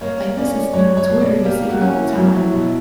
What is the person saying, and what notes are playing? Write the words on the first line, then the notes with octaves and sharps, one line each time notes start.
Like, this is, you know, on Twitter, you see it all the time.
A#3 C#5
C#4 D5
F#3 C#5
C#5
B2
D5
A#3 G4
F#4
C#4
E4
F#3 F#4
E4
B2 E4